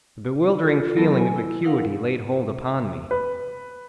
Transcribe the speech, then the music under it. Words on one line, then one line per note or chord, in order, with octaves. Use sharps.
The bewildering feeling of vacuity laid hold upon me.
F4 A4
F#3 B3 E4 A4 A#4 A5
G#5
E4
D#4 E4 A#4 F5 F#5
B4